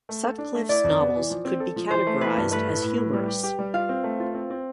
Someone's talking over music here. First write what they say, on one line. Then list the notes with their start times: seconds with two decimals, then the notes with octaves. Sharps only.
Sutcliffe's novels could be categorised as humorous.
0.09 A3
0.23 A4
0.38 D4
0.55 A3
0.69 E4 D5
0.84 F2
1.00 B3
1.16 E3
1.30 F3
1.45 C4
1.60 A4
1.76 F3
1.91 E3 C5
2.07 A3
2.21 E3 B4
2.37 G2
2.51 A3 B4
2.68 A2
2.82 A2
2.98 A2
3.13 G3
3.27 G4
3.44 G4
3.59 G3
3.74 F4 F5
3.89 C4
4.04 A3
4.20 F4
4.34 C4
4.50 C4